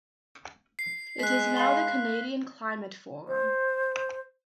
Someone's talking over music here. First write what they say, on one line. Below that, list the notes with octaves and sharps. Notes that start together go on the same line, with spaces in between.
It is now the Canadian Climate Forum.
C7
G#3 F#6 B6
F5 B5 C6
C5